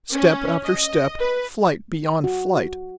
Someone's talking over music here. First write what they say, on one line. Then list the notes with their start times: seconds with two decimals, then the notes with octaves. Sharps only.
Step after step, flight beyond flight!
0.12 C#4
0.65 D#5
1.19 B4
2.24 F#4